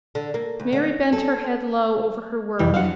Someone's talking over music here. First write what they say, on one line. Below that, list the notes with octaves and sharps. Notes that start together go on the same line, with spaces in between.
Mary bent her head low over her work.
D3
A#3
D2
D3
A4
C2 F2 E3 G3
F3 F#3 D4 F5 F#5